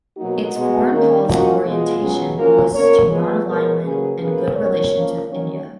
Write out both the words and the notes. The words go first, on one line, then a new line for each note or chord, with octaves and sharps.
Its foreign policy orientation was to nonalignment and good relations with India.
B2 F#3 A#3 D#4 F#4
B2 G#3 B3
D#3 A#3 C#4
F3 A#3 C#4 D#4 F#4
B2 G#3 B3 F4 G#4
B2 F#3 C#4
F3 A#3 C#4 F#4 A#4
B2 A#3 C#4 A#4 C#5
F3 G#3 B3 G#4 B4
B2 G#3 B3 A#4 C#5
C#3 F#3 A#3 C#4 G#4 B4
B2 A#3 C#4 G#4 B4
B2 F#3 C#4 A#4 C#5
F3 A#3 C#4
D#3 F#3 A#3 C#4 A#4 C#5